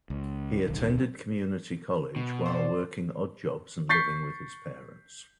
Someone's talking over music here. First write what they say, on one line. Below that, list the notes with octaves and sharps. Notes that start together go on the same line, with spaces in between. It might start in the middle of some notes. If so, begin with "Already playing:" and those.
He attended community college, while working odd jobs and living with his parents.
C#2
D1 B1 D#3
B2
C5 D5
C#6 G6 A6 B6 C7